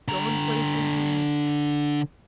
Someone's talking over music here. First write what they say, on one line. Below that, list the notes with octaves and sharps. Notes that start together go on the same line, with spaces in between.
going places and,
D3 A#5